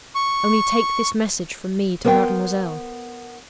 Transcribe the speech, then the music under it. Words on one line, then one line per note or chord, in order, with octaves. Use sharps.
Only take this message from me to mademoiselle.
C#6
B3 A#4 C5 E5 G5